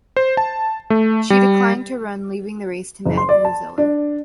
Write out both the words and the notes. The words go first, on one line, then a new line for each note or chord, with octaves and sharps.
She declined to run, leaving the race to Matthew Zeller.
C5
A5
A3
G3
F#1
C6
D5
A5
D4